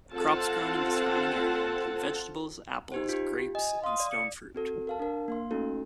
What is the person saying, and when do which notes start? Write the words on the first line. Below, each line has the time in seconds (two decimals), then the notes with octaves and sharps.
Crops grown in the surrounding area include vegetables, apples, grapes and stone fruit.
0.15 C4 F4 A4 F#5 A5
2.92 D#4 G4 C5
3.09 F4 G4
3.55 D#5 G#5
3.84 F5 C6 D#6
4.00 D5
4.12 C#7
4.55 C4 F#4 A4
4.87 A#4 F5 A5
4.99 D4 A#4
5.28 A#3 F5 C6
5.51 A3 C#4 D#4 F#4 A4